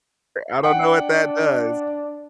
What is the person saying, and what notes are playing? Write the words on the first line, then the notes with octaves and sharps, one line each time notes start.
I don't know what that does,
D4 F#5 G5